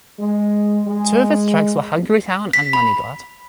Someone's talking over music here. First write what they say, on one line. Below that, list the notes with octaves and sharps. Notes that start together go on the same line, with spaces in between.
Two of its tracks were "Hungry Town" and "Money God".
G#3
G#3
B6
B5